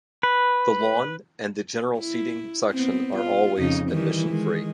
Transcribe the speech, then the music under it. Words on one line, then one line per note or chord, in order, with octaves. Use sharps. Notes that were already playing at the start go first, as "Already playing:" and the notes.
The lawn and the general seating section are always admission free.
B4
E4
B3 C4
F4
F2 C#3 D#4
D#3 E3 G3
D#3 G#3